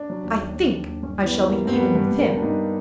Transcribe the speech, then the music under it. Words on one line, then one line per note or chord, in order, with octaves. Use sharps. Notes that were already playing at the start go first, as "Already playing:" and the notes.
I think I shall be even with him.'
Already playing: D4
F#3
D#2
F#3
F#3
D#2
D#2
G2 C#4
E3
B3
E3
G3 A#3
G2 C4
B3
G3
G2 B3
G2
A#3
G3
D4
G2 D#4